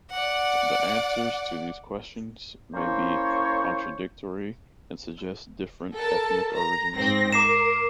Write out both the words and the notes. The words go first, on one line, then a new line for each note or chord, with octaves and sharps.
The answers to these questions may be contradictory and suggest different ethnic origins.
D5 F#5
A#3 C#4 E4 C5 C#5
A4 A#4 A5
A#5
G#2 C4 A#6
A#4 D6 C7 E7